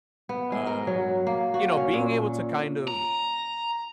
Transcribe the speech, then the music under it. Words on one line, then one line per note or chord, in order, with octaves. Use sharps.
Um, you know, being able to kind of
B3
G#3
A#4
F#3
A#3
F#4
C#4
A#2
A#5